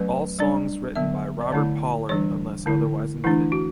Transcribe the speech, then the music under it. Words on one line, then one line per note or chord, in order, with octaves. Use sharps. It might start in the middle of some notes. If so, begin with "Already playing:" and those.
All songs written by Robert Pollard unless otherwise noted.
Already playing: F#3 A3 C#4 B4
G3 D4 D5
D3 F#3 B3 E5
D5
D3 A3 E4 C#5
E3 G3 D4 C#5
D3 A3 E4
E3 A3 D4 E4
F#4